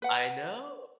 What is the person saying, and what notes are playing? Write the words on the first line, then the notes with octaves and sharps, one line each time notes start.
I know.
B4 F#5